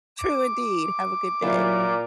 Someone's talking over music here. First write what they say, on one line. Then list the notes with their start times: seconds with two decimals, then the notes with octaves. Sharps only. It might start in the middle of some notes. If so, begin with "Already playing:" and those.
True indeed. Have a good day.
0.19 D6
1.42 A#2 F#3 E4 F4